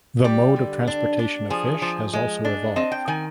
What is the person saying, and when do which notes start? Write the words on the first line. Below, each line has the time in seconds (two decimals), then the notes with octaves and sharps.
The mode of transportation of fish has also evolved.
0.24 G3 G4
0.56 D3
0.87 D4
1.19 D4
1.50 F3 G#4
1.82 F3
2.13 G#3
2.45 D4
2.76 C4 D#5
2.92 G5
3.08 D#3 G#5